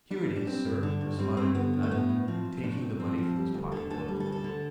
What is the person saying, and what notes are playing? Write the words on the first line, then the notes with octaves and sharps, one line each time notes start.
"Here it is, sir," responded McNutt, taking the money from his pocket-book.
G3 D4
G3
D4
G3 C4
G2
D3 D4
G2
G3 C4
G2 C4
D3 B3
G2
A3
A2 B3
A2
F3 C4
F3
C4
A2 D4
A2 C4
F3 C4
F3
G3
D2
D3 A4
D2 A4
G3
A4
D2
A4
D3